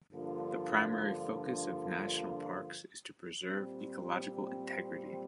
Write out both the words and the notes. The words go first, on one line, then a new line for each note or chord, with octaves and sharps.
The primary focus of national parks is to preserve ecological integrity.
G2 D3 F3 A#3 F4
A#2 G3 C4